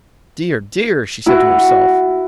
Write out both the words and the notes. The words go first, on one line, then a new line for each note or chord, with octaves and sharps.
'Dear, dear!' she said to herself.
E4 F#4